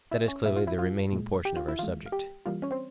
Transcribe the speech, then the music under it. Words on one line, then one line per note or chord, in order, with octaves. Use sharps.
That is clearly the remaining portion of our subject.
E4 E5
C#4 C#5
A#2 G#3 E4 E5
F4 F5
E4 E5
F4 F5
A#2 G#3
G4 G5
F4 F5
E4 E5
E3 G#3 F4 F5
F5
G4 G5
E3 G3 A#3 F4 F5
C#4 C#5
C4 C5